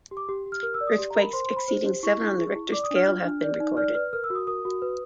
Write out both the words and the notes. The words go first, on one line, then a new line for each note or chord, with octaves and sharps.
Earthquakes exceeding seven on the Richter scale have been recorded.
G4
D6
G4
G4
F6
A#4 F6
E6
D5
D#6
G4
A#4 A#5
B5
C5 C6
C6
C5
B5
C5
G4
E4 C#6
E4
G#4
E4
D5 D6
D#6
D4 F6
F4
D4
D5
D#4
D5 F6
B4 F6
A#4 F6
E6
F#4
D#6
A#4 D#6
F#4
B4